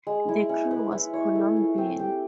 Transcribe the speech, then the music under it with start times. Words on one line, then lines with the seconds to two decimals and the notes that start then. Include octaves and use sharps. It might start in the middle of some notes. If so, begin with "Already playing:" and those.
The crew was Colombian.
0.07 G#3
0.29 E4
0.49 C#4
0.71 B4
0.92 E4
1.14 C#5
1.35 A3
1.56 F4
1.78 C4
2.00 G4